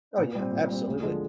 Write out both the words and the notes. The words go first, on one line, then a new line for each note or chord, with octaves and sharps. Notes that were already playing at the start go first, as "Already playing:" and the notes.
Oh yeah, absolutely.
A#2
G3 C4
A#2
G3 C4
D2
D3 F3 G#3